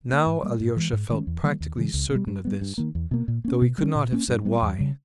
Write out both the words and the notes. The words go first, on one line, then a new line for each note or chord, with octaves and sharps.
Now Alyosha felt practically certain of this, though he could not have said why.
C#4
A#3
G#2
G3 A#3
G#2
E3 G#3
G#2
D#3 G#3 C#4
E2
D#3 G3 A#3
D#2
C#3 E3 G#3
C#2
B2 G3
G2
G3 B3
G2
D#3 A#3
E2
B2 A#3
A#2
A#3 C#4
B2
G3 A#3 C#4
A#2
A#3 C#4
G2
G3 B3
E2
C#3 G3